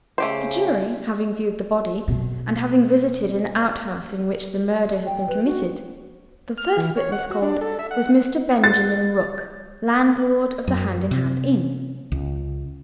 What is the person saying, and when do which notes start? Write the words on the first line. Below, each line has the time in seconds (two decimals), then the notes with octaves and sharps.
The jury having viewed the body, and having visited an outhouse in which the murder had been committed, the first witness called was Mr. Benjamin Rook, landlord of the Hand-in-Hand inn.
0.18 C#3 A3 G4 C5
2.08 B2 F#3
5.06 G5
5.28 B4
5.45 F#4
6.58 F6
6.77 E3
6.97 C#5
7.12 F#5
7.30 F#4
7.42 D4
7.61 A4
7.79 E5
7.91 F#5
8.64 A6
10.68 F#2
11.11 C3
12.12 C#2